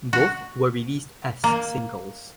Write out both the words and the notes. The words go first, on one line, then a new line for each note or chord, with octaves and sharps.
Both were released as singles.
F#4
A#3